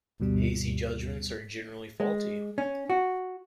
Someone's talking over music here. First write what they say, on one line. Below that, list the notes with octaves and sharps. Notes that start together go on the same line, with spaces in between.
Hasty judgements are generally faulty.
D2 G2 B2 G3
G#3
C#4
F#4